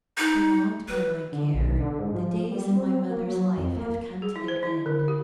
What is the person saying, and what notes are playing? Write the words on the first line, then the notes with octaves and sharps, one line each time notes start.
Prolonged by my care, the days of my mother's life have come to their end.
D#4
B4
D3
A#1
B1
D3
G#2
F3
G3
C4
A#3
F#3
F2
A#3
G#4
E4
C5
E4
D3
G4